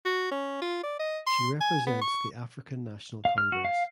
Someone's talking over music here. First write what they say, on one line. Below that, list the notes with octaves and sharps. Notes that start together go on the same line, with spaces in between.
She represents the African National Congress.
F#4
C#4
F4
D5
D#5
C6
G#5
B3
C#6
F5
F6
F#4
F5